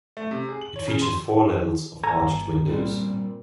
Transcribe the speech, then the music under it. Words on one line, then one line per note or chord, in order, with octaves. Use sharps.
It features four levels of arched windows.
A3
C3
G#4
F#7
C#5
C#3
C6
G1 A4 G#5 A#5
A#2 G3 C4